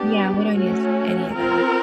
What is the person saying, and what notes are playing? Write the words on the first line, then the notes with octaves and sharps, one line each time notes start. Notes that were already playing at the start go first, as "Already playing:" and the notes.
Yeah, we don't use any of that.
Already playing: B3 D4 G4
A3 C#4 F#4
C4 F4 A#4